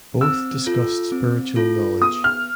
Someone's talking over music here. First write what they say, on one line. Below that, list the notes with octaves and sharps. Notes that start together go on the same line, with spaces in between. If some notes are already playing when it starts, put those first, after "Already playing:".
Both discussed spiritual knowledge.
C4 E6
F4 A4
C4
F4 A4
B3 D#6
F6